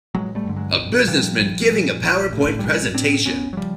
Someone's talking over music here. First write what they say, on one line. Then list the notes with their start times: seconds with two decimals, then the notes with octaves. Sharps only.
A businessman giving a powerpoint presentation.
0.15 A1 F#3 G#3
0.35 G3 A3
0.46 G2 D3
0.56 F#3 G#3
0.76 A#1
1.08 A#2 F3 G3
1.40 A#1
1.70 A#2
2.01 A#1
2.33 A2
2.59 G3
2.63 A#1 F#3 G#3
2.94 A2 C4 D4
3.26 F#1 B3 C#4
3.53 F#3
3.57 C#3 F3 G3